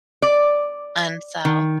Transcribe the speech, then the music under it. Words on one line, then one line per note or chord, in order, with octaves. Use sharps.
And so
D5
D#3